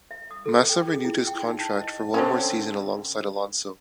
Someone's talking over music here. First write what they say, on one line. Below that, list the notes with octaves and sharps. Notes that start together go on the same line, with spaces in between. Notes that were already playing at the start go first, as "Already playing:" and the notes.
Massa renewed his contract for one more season alongside Alonso.
E5
D#6
A4
G5
G#4
E4
G5
D#4
A5
D#5
D3 C4 C#4